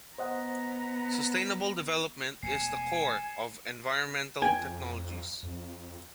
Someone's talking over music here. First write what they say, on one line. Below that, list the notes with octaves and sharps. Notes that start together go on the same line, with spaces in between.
Sustainable development is the core of "environmental technologies".
B3 C5 D#5 F#5 A#5
E1 A3 G#5 C7 C#7 E7
F2 G5 G#5
F2